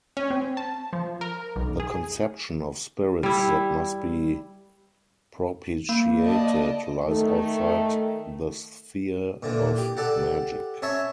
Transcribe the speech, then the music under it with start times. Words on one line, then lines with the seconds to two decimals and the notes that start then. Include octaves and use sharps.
The conception of spirits that must be propitiated lies outside the sphere of magic.
0.17 C#4
0.30 C4
0.57 A5
0.93 F3
1.21 A#4
1.56 B1
1.80 G#4
3.23 G3 E4
5.89 A#3
6.21 D5 D#5 A5
7.04 D#3 A3
9.42 A#2 D3 E3
9.78 G4
9.97 G4 A4 D5 F#5
10.82 C#4 C#5 E5 A5